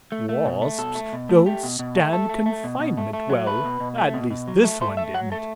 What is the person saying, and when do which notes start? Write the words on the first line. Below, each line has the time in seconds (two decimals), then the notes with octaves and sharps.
Wasps don't stand confinement well, at least this one didn't.
0.12 A3
0.29 A3
0.46 B2
0.62 A3
0.78 B2 A4
0.95 A3
1.13 B2
1.29 A3
1.46 A3 G4
1.63 B2
1.79 B2
1.96 A3
2.13 A3 A4
2.29 A3
2.46 A3
2.64 B2
2.80 B2
2.97 A3
3.13 A3
3.30 F#3
3.46 A3 B4
3.64 B2
3.80 B2
3.98 A3
4.14 B2
4.30 B2
4.47 F#3
4.64 A3
4.81 A3 C5
4.97 A3 E5
5.14 F#3 F#5
5.32 A3 A4